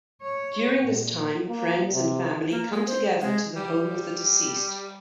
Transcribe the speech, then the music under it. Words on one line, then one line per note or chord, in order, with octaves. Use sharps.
During this time, friends and family come together to the home of the deceased.
C#5
A#2
A#3
C3
A#3
G#3
C5
G#3
G3